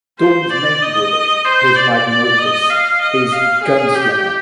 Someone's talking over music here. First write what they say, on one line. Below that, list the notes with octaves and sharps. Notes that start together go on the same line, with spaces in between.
Dorn's main work, his magnum opus, is "Gunslinger".
C5
D5
D#5
C5
D5
D#5
F5
D#5
F5
G#4
G4